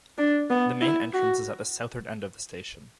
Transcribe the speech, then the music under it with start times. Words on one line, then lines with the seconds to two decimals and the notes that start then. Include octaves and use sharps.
The main entrance is at the southern end of the station.
0.18 D4
0.50 B3
0.81 E4
1.14 F#4